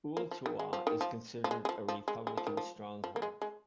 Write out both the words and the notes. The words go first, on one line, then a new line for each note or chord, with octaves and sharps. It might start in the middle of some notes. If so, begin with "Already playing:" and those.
Ooltewah is considered a Republican stronghold.
A#3
F3
D#3
G#3
F3
D#3
F3
F3
G#3
G#3
F3
F3
G#3
G#3
F3
D#3
F3
F3
A#3
G#3
G#3